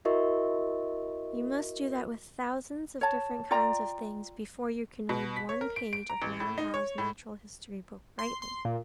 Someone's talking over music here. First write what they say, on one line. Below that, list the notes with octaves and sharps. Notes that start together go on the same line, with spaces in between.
You must do that with thousands of different kinds of things before you can read one page of Madam How's Natural History Book rightly.
E4 F#4 A#4 D#5 E5 C#6
C#5 A5
F4 D5 G5 A#5
B2
B6
C#5
A#4
D7
D7
A#5
A1
A2
D#4
C#5
A2
C6
C6
A#2